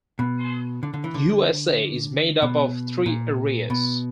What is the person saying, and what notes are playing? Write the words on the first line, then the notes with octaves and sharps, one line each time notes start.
Usa is made up of three areas.
B2
D3
D3
E3
D3
B2
A#2
B2